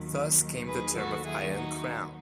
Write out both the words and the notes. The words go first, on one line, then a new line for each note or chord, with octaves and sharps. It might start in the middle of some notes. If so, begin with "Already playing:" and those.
Thus came the term of "Iron Crown".
Already playing: D#2 D#3 F#3
G#4 B4
F#4 A4
E4 G#4
D#4 F#4